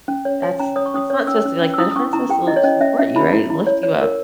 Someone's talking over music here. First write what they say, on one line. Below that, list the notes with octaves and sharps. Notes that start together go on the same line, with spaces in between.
that's It's not supposed to be like that. A friend's suppose to l support you, right, and lift you up
C#4
C#5
C#5 G#5
C#4 A#5
C#5 D#6
C#6
C#4 D#6
C#5
C#4 E6
C#4
C#4
E6
E4 D#6
D#6
C#4 C#6
E4 A#5
G4 G5
E4 D#5
C#5
C#4 D#5
C#4 E5
C#4 E5
E4 B5
E4
E4
C#5
C#5
A#4